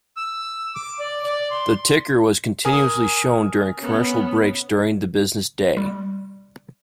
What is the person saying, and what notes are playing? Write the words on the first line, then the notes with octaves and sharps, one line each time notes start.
The ticker was continuously shown during commercial breaks during the business day.
E6
D6
D5
D5
C6
A#4 G#5 D#6
B3 C#4
G3